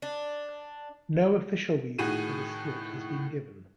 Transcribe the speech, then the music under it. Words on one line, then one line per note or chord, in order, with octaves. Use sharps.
No official reason for the split has been given.
D4
A2 D#3 A3 F#4 G#4 D#7